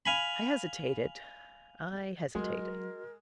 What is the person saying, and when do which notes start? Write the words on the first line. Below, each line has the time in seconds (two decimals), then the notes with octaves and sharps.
I hesitated, I hesitated.
0.06 F5 G#5 B5
2.35 F#3 G#3 F#4 A#4 D#5 C6